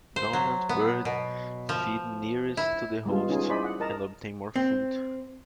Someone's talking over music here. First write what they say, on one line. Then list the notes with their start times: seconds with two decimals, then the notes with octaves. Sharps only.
Dominant birds feed nearest to the host, and obtain more food.
0.16 C5
0.33 F#3
0.69 B3
1.05 B2
1.69 F3
2.57 E4
3.06 G3 G#3 B3 F4
3.28 B3 C#4 D#4 F4 G#4 G#5
3.49 E4 G#4 C5 D5 D#5 B5
3.64 F#5
3.80 A#4 D#5 A5 A#5
4.56 C4